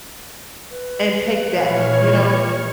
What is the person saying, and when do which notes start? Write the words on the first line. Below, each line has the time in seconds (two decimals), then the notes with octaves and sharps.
And take that, you know,
0.70 B4
1.55 A#2 E3 F3 C#5 C#6 F6